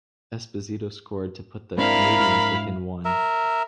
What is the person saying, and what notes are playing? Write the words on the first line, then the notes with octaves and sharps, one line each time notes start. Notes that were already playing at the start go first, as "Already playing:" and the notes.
Esposito scored to put the Canadians within one.
G#2 C4 D4 E4 A#4 F5 B5
A#4 E5